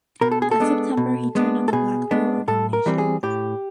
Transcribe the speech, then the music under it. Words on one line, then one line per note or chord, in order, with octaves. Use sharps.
That September he turned on the Blackpool Illuminations.
B2 A#4
A4
G#4
A4
G#3 B3 D4
B2
G#3 B3 D4
A4
B2 G#4
G#3 B3 D4
A2 A4
A#4
E3 G3 C4
G#4
A2 G4